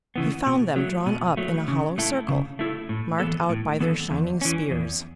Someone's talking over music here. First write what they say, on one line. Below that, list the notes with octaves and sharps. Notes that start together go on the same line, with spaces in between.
He found them drawn up in a hollow circle, marked out by their shining spears.
C#3 E3 B3
B2
F#3 A3
B2
F#3 A3
C#3
A3 E4 A4
C#3
A3 E4 A4
A2
E3 B3 A4
A2
E3 B3 A4
E2
E3 C#4
E2